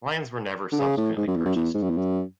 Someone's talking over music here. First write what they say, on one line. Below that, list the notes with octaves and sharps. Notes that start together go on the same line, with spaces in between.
Lions were never subsequently purchased.
D3
C#3
A2
G#2
F#2
E2
F#2
E2
G#2
F#2
E2
F#2